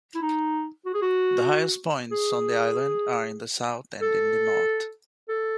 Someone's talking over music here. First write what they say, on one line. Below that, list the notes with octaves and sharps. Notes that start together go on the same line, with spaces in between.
The highest points on the island are in the south and in the north.
E4
D#4
F#4
G#4
F#4
G#4
A4
A4